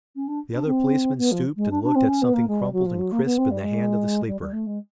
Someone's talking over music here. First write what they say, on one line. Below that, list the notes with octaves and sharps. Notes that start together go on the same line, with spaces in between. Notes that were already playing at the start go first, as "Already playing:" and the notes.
The other policeman stooped and looked at something crumpled and crisp in the hand of the sleeper.
C#4
D4
D4
C4
B3
F3
G#3
D4
D4
C4
C#4
B3
A#3
G#3
G3
F#3
F3
F#3
A#3
B3
C4
G3
G#3
G3
G3
A3
G#3